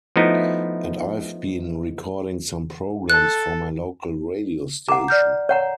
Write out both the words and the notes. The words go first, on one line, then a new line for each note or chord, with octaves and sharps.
And I have been recording some programmes for my local radio station.
F3 A3 B3 D#4 E4
A4 F#6
F#5 A#5 D6
D5 F6 G6
C#5 F#5 A#5